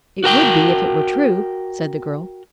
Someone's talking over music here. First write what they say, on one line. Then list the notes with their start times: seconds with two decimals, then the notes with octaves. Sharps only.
"It would be, if it were true," said the girl.
0.24 F#4 A#4 G5